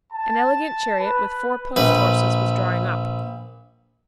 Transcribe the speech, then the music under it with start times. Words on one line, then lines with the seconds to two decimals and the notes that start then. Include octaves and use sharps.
An elegant chariot with four post-horses was drawing up.
0.12 A5
0.98 B4
1.76 A#1 B4